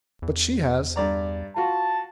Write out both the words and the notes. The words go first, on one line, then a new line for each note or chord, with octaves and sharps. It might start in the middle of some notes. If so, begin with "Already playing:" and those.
But she has.
E2
G2 D5 A#5
F4 F#4 A5